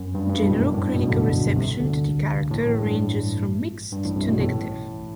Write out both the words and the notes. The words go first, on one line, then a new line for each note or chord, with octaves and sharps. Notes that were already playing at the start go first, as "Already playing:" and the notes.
General critical reception to the character ranges from mixed to negative.
Already playing: F#2
G2
G2
B2
A1 A2
F#2
A2
G2
B1 B2
D2 D3
C2 C3
D2 D3
A1 A2
A1 A2
G2
G2
A1 A2
C2 C3
B1 B2
A1 A2